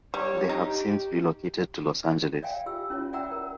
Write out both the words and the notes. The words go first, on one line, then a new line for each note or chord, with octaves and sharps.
They have since relocated to Los Angeles.
G3 C#5
D#4 G4
D5 E5 F5 G5 G#5
F4 G4 E6
C#4 E4 F4 C#5
D5 E5 F#5 G5 A#5 E6
A#4